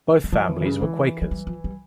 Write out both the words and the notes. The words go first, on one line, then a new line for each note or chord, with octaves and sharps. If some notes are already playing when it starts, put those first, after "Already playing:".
Both families were Quakers.
G#3
F3 G3
E3
E3
C#3
E3 G#3
F3
G3
F3
G3